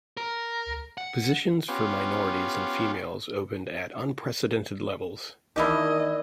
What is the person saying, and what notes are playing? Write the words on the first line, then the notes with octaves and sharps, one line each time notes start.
Positions for minorities and females opened at unprecedented levels.
A#4
F#5
B3 C#4 F4 G4
D#3 E3 A#3 D4 E4 G4 D#5